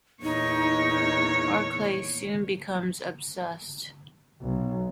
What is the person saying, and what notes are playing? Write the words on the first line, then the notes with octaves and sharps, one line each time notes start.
Barclay soon becomes obsessed.
E2 A#2 D#4 C#5
B1